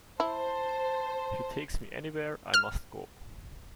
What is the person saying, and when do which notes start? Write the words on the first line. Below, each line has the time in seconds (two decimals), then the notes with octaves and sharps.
If he takes me anywhere, I must go.
0.20 E4 C5 A5
2.54 F6